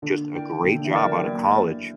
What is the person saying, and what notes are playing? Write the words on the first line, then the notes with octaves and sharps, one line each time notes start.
just a great job out of college,
D3 A#3
E4 A#4 D5 G5
D3 A#3
D3
E3
E4 A#4 D5 G5
F#3
A#3